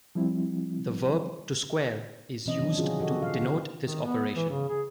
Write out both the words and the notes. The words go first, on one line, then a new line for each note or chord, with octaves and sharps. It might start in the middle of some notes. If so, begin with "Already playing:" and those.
The verb "to square" is used to denote this operation.
F3 G3 C4 E4
B2 E3 C4 C#4 D#5
D#3 F#3 D4
D3 F3 C#4 F4 F#4 G#4
F#4 G4 A4 D#5
F5
D3 G4
D#3
B3
E3
C#3
G#4